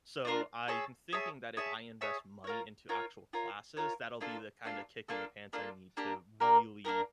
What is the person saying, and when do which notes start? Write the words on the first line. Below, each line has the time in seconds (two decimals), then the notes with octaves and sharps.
So, I'm thinking that if I invest money into actual classes, that'll be the kinda kick in the pants I need to really,
0.25 D4 F4 A#4
0.68 G#4 C#5 E5 A5
1.13 G#4 C#5 E5 A5
1.57 G#4 C#5 E5 A5
2.01 G#4 C#5 E5 A5
2.44 F4 A#4 C#5
2.89 F4 A#4 C#5
3.33 F4 A#4 C#5
3.77 F4 A#4 C#5
4.21 A#3 D4 F4 A4
4.65 A#3 D4 F4 A4
5.08 A#3 D4 F4 A4
5.53 A#3 D4 F4 A4
5.97 A#3 D4 G4 A#4
6.40 A#3 D4 G4 A#4
6.85 A#3 D4 G4 A#4